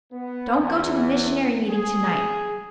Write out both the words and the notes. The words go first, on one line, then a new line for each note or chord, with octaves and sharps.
"Don't go to the missionary meeting to-night."
B3
E2
G#4